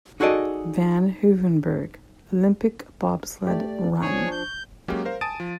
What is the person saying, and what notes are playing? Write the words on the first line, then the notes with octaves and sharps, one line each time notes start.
Van Hoevenberg Olympic Bobsled Run.
D#4 F#4 G#4 A4 D5 D#5
A3 G4 D5
F3 D4 G#4 C#5 C#6
G6
F#3 G#3 A#3 C#4 G4
A#4 C5 F5
G#5 A5 D#6 A6 D7 D#7
F3